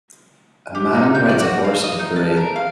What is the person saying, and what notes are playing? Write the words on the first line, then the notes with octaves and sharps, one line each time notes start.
A man rides a horse in a parade.
G4
D#4
G6
D5
F#4
F5
D#5
D#4
A5
A#4
F5